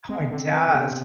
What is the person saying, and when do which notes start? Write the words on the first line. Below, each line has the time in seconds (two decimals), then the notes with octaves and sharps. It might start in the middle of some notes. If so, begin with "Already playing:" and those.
Oh, it does.
0.09 G#3 C4
0.21 B3
0.31 D3 C4
0.53 E3
0.68 D3
0.74 C3 B3